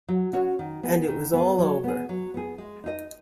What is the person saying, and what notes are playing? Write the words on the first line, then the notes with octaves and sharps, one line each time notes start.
And it was all over.
F#3
C#4 F#4 C#5
D#3
B3 G#4
D#3
B3 G#4
F#3
B3 G#4
F#3
B3 G#4
G#3
D#4 G#4 D#5